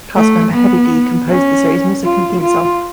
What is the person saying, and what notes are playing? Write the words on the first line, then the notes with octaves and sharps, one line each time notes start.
Cast member Heavy D composed the series' music and theme song.
A3
B3
C#4
F4
F4